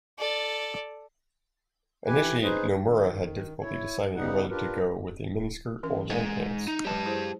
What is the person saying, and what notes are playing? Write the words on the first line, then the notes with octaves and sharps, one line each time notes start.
Initially, Nomura had difficulty deciding whether to go with a miniskirt or long pants.
A4 D5
E3 G4 B4 G#5
D#4 G#4 B4 C5
D#3
E4 C#5
C#3 G3 B3 D#4 F#5
D4 F4 G4 A#4 B4
E3 C#4 A#4
G#2 G#3
D#4
F#3 G#3 G4 B4 A5
E4 G#4 C5